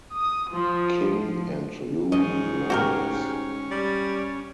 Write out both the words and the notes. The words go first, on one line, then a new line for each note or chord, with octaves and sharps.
King, and Lou Rawls.
D#6
F3
F3
G#2 E3 F3 C#4 D#5
A2 G#3 F#4 G4 A#4
G3